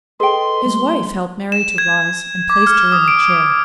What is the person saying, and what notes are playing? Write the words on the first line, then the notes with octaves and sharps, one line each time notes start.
His wife helped Mary to rise, and placed her in a chair.
G#4 A4 B4 D#5 G5 C6
G3 A#3
E7
G#6
D6
F6
D#6
D7